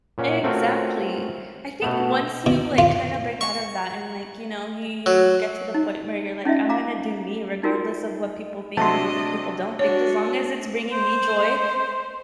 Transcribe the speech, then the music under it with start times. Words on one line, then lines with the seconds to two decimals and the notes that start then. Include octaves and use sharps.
Exactly, I think once you like kinda break out of that and like, you know, you you get to the point where you're like, I'm gonna do me regardless of what people think or what people don't think, as long as it's bringing me joy,
0.18 A#2 C#4 F#5
0.43 A3 C4 C#4 F4 F#4 A#4
1.82 B2 A3 B3
2.46 B2
2.78 F4
3.41 C#6
5.06 F#3
5.74 D#4
6.45 C#4 D#4 F4 D#5 E5
6.69 F5 A#5 D6
7.63 D#4 F4 F#4 A#4
8.77 C3 F#3 A3 D4 D#5 A5 C6
9.79 D4 F#4 C#5
10.92 C5